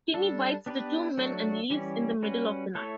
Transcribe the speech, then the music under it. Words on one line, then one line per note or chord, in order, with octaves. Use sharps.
Kenny bites the two men and leaves in the middle of the night.
G3 D4 A4
B3 D4 G4 B4
F#3 A3 D4 F#4
E3 G3 C#4 G4
G3 C#4 F#4 B4
A3 E4 A4 C#5